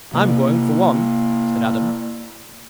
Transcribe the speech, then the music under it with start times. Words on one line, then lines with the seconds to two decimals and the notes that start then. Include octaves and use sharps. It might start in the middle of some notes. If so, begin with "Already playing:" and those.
"I'm going, for one," said Adam.
0.14 C3 A#3